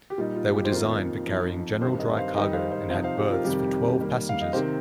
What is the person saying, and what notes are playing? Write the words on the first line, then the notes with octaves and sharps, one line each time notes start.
They were designed for carrying general dry cargo and had berths for twelve passengers.
G4
A#2 G3 D#4 F4
F4
G4
C5
F2 D#3 A#3 D#4 F4 A#4
F2 F3 D#4
G2 D#3 C4 G4 C5
A#4 D#5
C5 F5
D#3 G3 D#4 D#5 G5
C5 F5
C5 F5
C3 F3 D#4 C5 F5
C5 F5
G4 C5
F4 A#4
F2 C3 D#3 G3 G4
D#3 G3 A#3
F5
D#5
C3 D#3 C4 G4 C5